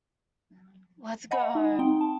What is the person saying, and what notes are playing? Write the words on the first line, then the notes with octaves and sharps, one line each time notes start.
Let's go home.
D#5 F#5 G#5 B5
D#4
C4 D#4 G5
A5